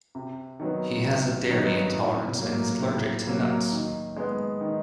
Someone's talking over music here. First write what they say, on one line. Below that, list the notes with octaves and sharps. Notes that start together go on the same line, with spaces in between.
He has a dairy intolerance and is allergic to nuts.
C3
D#3 F#3 B3
C3
D#3 F#3 B3
A2
F#3 A#3
A2
F#3 A#3
D#3
G#3 B3
D#3